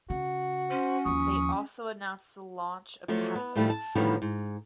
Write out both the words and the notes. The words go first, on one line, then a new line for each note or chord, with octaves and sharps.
They also announced the launch of Passive Funds.
C#3 F#4
C#4 C5
D#2 F3 C#6 D#6
F3 F#3 A3
B3
A2 D#3 F3 G3 A3
A5
A2 D3 D#3 F3 G3 B3
G#2